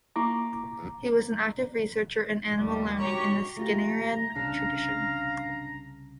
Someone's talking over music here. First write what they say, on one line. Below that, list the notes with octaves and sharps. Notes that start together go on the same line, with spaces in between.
He was an active researcher in animal learning in the Skinnerian tradition.
A#3 E4 A#5 C#6 D6
D#2 G3
F#4 G4 C#5 A#5 C#6
A3 F4 G4 A#5
C2 C#3 D4 F5 A5